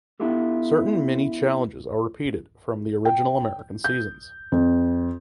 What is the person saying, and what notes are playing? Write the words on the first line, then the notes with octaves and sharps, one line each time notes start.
Certain mini challenges are repeated from the original American seasons.
B3 D4 E4 F4 G4 A4
G5
G6
F2